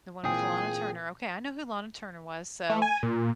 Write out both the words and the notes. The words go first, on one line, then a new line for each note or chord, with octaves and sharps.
The one with Lana Turner. Okay, I know who Lana Turner was, so,
A#2 E3 C4 G#4 G5 D#6
A3
G#5
A#2